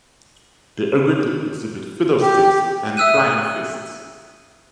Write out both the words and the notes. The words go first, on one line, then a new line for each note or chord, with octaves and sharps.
They agreed to exhibit "Fiddlesticks" and "Flying Fists".
G4
E5 D#6 E6 F#6 D#7